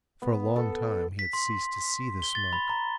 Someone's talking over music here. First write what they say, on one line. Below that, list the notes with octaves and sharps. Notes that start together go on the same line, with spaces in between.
For a long time he had ceased to see the smoke.
B3
A4
B6
C6
G7
A6
B5
A#5